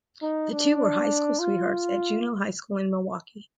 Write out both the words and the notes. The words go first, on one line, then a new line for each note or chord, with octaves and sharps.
The two were high-school sweethearts at Juneau High School in Milwaukee.
D#4
D4
F4